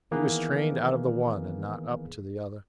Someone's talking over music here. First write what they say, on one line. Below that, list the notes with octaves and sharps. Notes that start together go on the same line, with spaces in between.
He was trained out of the one and not up to the other.
D#3 E3 A#3 B3 G#4 B4